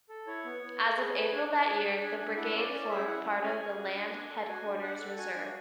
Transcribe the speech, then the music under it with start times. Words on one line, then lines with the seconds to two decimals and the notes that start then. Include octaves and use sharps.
As of April that year, the brigade formed part of the Land Headquarters Reserve.
0.09 A4
0.27 E4 C#5
0.45 B3
0.62 B3
0.80 A4
0.97 G#4 B4
1.15 G#4 B4
1.32 D4 C#5
1.50 D4 C#5
1.67 G#4 C#5
1.85 G#4
2.02 D4 G#5
2.19 D4 G#5
2.37 E4 F#5
2.55 C#4 D5
2.72 C#4 D5
2.89 G#4 E5
3.07 E4 F#5
3.25 C#4
3.43 C#4 G#5
3.60 G#4
3.77 F#4
3.94 D4
4.13 D4
4.30 A4
4.47 F#4 G#5
4.65 D4
4.82 D4 F#5
5.00 A4
5.18 F#4 G#5
5.35 D4